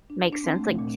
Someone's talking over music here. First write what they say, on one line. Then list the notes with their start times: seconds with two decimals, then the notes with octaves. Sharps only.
Makes sense, like,
0.10 D4
0.33 D4
0.44 C4
0.56 A3
0.67 C3
0.78 A#2